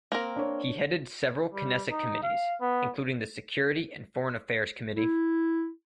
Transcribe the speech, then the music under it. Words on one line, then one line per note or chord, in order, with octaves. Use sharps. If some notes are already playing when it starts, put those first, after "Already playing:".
He headed several Knesset committees, including the Security and Foreign Affairs committee.
A#3 C4 A#4
D4 C#5
G3
D#4
F5
B3
E4